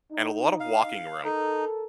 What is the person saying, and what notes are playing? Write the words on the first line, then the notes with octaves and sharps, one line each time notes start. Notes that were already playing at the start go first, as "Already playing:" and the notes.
and a lot of walking room.
D#4
F5
D#4 A4 A#4